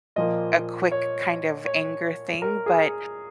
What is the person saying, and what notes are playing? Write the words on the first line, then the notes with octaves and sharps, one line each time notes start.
a quick kind of anger thing, but
A#2 F3 A#3 D#5
C#5
C#5
A#4
G#4